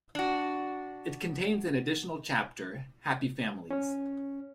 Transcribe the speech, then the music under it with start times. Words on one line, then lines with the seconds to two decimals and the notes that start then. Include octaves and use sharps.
It contains an additional chapter, "Happy Families".
0.15 D4 F#4
3.71 C#4 C#5